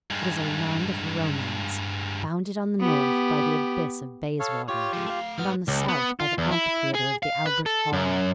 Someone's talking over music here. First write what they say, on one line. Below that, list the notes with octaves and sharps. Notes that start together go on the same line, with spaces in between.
It is a land of romance, bounded on the north by the Abyss of Bayswater, and on the south by the Amphitheatre of the Albert Hall.
G2 G#3
B3 G4
A4 C#5 F5
F4 G4 C#5
F3 G#3
A3 F5
G#2 B3 F6
C#2
B3
F4
E2
E4
G#4
F5
B4
A4
F#2